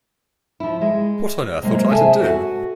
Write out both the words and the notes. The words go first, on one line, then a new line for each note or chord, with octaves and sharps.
What on earth ought I to do?
F3 E4
G#3
C3 F#3 G#3 A#3
C3 G#4 A4 E5 G#5 A5
F#4 A4 C#5 F#5 G#5